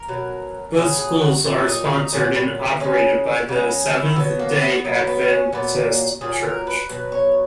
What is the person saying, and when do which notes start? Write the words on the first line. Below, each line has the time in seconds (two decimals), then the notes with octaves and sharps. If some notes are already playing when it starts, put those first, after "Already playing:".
Both schools are sponsored and operated by the Seventh-day Adventist Church.
Already playing: A#4
0.08 B2 F#3
0.76 B2 F#3 G#4
0.99 G#4
1.21 F#4
1.45 A#2 F#3 E4
1.67 D#4
1.90 D#4
2.12 A#2 F#3 C#4
2.35 B3
2.80 C#3 G#3 C#4
3.49 C#3 G#3 B3
3.94 E4
4.16 B2 F#3 B3
4.39 A#3
4.62 B3
4.85 B2 F#3 A#3
5.07 B3
5.30 C#4
5.53 A#2 F#3 B3
5.75 A#3
6.21 A#2 F#3 G#4
6.43 A#4
6.67 B4
6.89 B2 F#3 B4
7.12 C#5